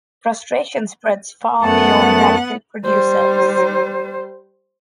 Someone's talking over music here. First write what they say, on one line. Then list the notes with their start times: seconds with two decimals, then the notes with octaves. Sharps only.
Frustration spreads far beyond radical producers.
1.62 F#2 A3 B3 F#5 A5
2.85 G3 C5